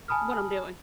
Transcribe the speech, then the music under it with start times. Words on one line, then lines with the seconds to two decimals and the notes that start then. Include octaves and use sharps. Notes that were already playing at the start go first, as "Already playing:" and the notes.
what I'm doing.
0.08 G#5 A5 B5 D#6 F6